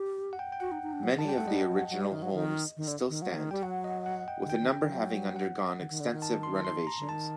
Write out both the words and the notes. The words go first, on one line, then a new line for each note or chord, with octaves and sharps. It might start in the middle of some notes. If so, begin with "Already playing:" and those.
Many of the original homes still stand, with a number having undergone extensive renovations.
Already playing: G4
F#5
G5
G5
F#4 F#5
D#4
D#4
D4
F#3
D#3
A5
G3
G5
A3 F#5
G3 D#5
F#3
F#3
G3
D#3
F#3
D#3
D#3
D3
D#3
F#3
D#3
G3 G5
F#3 F#5
D#5
F#5
G5
D3
D#3 G5
D#3
D#3
F#3
F#5
D#3
D#3
D3
D#3
A5
C6
C6
A#5
D3
D#3 A5